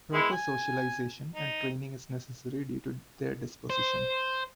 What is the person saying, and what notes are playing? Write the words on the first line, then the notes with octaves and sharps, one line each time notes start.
Proper socialization and training is necessary due to their disposition.
G#3 B3 E4
G#5
D#4
C5